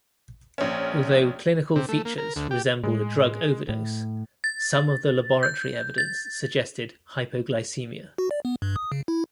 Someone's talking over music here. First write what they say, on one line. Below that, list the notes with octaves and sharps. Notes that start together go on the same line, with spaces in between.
Although clinical features resembled a drug overdose, some of the laboratory evidence suggested hypoglycemia.
A#1 C#4
C3
A3
A#3
A#4
D2
G4
A2 G#3
A2
A6
G6
A6
F#4
D5
B3
G2
D#6
C#3
E4